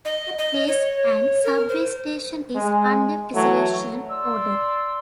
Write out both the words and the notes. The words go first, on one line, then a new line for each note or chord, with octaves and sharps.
The place and subway station is under preservation order.
D#5
D#5
C#5
A#4
C5
G#3
E3 F#3 A3
D5 C6 E6